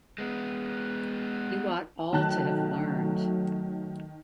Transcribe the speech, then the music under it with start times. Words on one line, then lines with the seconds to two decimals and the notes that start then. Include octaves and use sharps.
You ought all to have learned.
0.18 G#3 B3
2.13 D#3 F#3 A3 A5 F#6